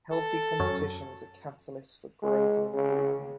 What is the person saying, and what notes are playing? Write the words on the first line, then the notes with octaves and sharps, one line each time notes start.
Healthy competition is a catalyst for growth and improvement.
A4
F#2 F#3 C#4
G#3
C#3